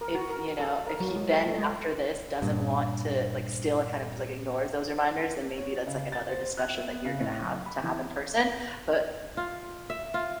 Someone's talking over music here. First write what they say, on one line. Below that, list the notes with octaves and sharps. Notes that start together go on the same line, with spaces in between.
if, you know, if he then, after this, doesn't want to like, still, kind of, just, like, ignores those reminders, then maybe that's another discussion that you're gonna have to have in person. But,
A#4
F#4
A#4
A4
A#4
F#3
G#3
A4
A3
G#3
G2 A#2
C#5
C#3
A6
C5
F#6
E5
B3
C#3
A2
F#1
B5
E3
F4
E5
F4